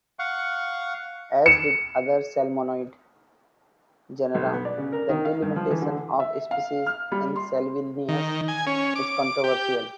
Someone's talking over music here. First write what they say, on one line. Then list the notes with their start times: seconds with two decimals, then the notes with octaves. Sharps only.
As with other salmonid genera, the delimitation of species in "Salvelinus" is controversial.
0.19 F5 F#5 C#6
1.46 C#7 E7
4.35 B1
4.53 B3
4.65 D5
4.78 C#3
4.93 A#4
5.09 D#3
5.25 F5
5.42 G2
5.56 F3
5.71 E3
5.82 D3
6.20 E5
6.51 F5
6.86 F6
7.12 G3
7.36 C6
8.09 D#3
8.48 G#5
8.67 C#4
8.95 D6
9.44 G4